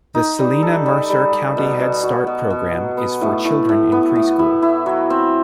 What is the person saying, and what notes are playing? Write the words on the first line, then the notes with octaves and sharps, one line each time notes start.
The Celina-Mercer County Head Start Program is for children in Pre-School.
D#4
G3
A4
G3
G3
G3
B2
B2
F#4
B2
B2
F#3
B3
A2
A2
A2
B3
A2
E4
E4
F#3
C4